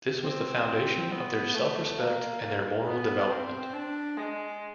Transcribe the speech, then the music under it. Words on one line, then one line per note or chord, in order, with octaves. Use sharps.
This was the foundation of their self-respect and their moral development.
C4
B3
A3
A#3
A#3
B3
C4
D4
G#3